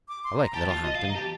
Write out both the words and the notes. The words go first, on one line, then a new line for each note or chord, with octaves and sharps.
I like Littlehampton.
D6
C6
A#5
G4 A5
F4
D#5
F5
D#5
A#5
G4 A5